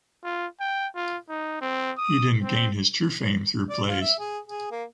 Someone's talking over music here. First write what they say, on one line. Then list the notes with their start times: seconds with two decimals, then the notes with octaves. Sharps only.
He didn’t gain his true fame through plays.
0.24 F4
0.60 G5
0.96 F4
1.29 D#4
1.61 C4
1.98 D#6
2.42 C4
3.70 D5
3.88 F4
4.01 E5
4.19 G#4
4.48 G#4
4.71 A#3